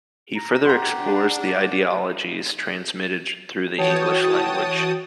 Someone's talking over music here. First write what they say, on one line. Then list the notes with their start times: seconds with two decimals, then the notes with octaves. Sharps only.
He further explores the ideologies transmitted through the English language.
0.35 A#5
0.65 G4 F#5 A#5 C6
1.02 D4
1.46 D5
3.78 E3 F#4 C#5 G5 A5 D#6